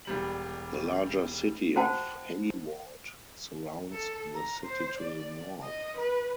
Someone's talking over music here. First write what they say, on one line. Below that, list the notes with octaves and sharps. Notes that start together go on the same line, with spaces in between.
The larger City of Hayward surrounds the city to the north.
E1 G3 F#7
F#4 C5 F#5 G5 A5
A4
A#5
C5
D5
D#5
B4